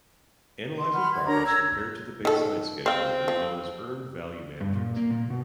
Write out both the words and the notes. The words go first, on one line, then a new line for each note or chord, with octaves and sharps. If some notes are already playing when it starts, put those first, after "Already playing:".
Analyzing progress compared to the baseline schedule is known as earned value management.
C6
F#5 B5 F6
G#6
D4 A#4 C#5 A#5
A#5 E6 G#6
D#3 A4
C4 C5 F5
F3
G2
A#2
A#3
A#2
B2